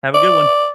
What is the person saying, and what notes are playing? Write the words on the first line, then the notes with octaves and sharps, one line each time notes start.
Have a good one.
D5